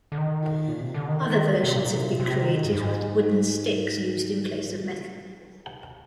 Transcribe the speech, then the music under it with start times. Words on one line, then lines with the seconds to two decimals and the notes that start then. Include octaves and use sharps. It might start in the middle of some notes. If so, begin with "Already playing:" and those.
Other versions have been created with wooden sticks used in place of metal.
0.12 D3
0.17 D#3
0.68 A#2
0.81 C3
0.94 D3
1.08 D#3
1.30 D#3
1.64 C3
1.75 A#2
1.98 C3
2.20 C3
2.42 D#3
2.65 G#2
2.73 G2
2.79 G#2